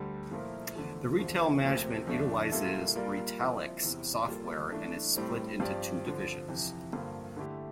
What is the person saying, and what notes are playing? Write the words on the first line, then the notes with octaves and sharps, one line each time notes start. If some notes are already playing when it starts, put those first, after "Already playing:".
The retail management utilizes Retalix software and is split into two divisions.
Already playing: D2 D3 G3
A#2 F3 A3 E4 A#4
E2 D3 F3 A3
E2 D3 F3 A3
D2 C3 F3 A#3
F2 D3 A3 D4
A#2 G3 A#3 E4 A4
G3 A#3 F4 A#4 D5
F3 C4 E4
E2 C3 E3
G3 A#3 F4 A4
E3 A3 D4
A2 G3 C4
G2 F3 C4 G4 D5
D3 F3 C4
F2 C3 E3
G2 D3 F3 A#3
D3 A3 E4 G4